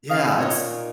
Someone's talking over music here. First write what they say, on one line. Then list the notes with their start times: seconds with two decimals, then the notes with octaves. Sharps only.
Yeah, it's
0.09 C#4 D#5 F5
0.40 A#2 C#5 D#5
0.69 D#4